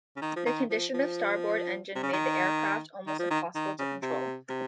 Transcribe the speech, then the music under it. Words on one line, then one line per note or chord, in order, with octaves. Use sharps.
The condition of the starboard engine made the aircraft almost impossible to control.
C#3
D#3
F3
D#3
F3
F3
C3
C#3
D#3
D#3
F3
D#3
D#3
C#3
C3
C3